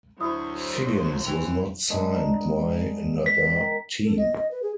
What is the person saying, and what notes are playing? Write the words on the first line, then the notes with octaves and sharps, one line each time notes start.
Figgins was not signed by another team.
D2 F#3 E4 C5 C6 D#6
E3 G5 F7
G#3 B3 D4
D#4
B6
D#3
A4
D#5
D#5
B4
G#4